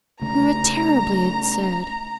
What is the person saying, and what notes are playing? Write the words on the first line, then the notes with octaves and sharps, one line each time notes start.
We were terribly absurd.
C#3 A3 A#5